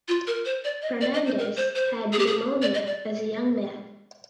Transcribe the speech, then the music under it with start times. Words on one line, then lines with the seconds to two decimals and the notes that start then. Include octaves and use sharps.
Hernandez had pneumonia as young man.
0.08 F4
0.27 A#4
0.45 C5
0.64 D5
0.82 D#5
1.01 D5
1.14 D#5
1.26 C5
1.38 A#4
1.57 C5
1.76 C5
2.13 G#4
2.19 G4
2.27 G#4
2.62 D5
2.74 D#5
2.87 D5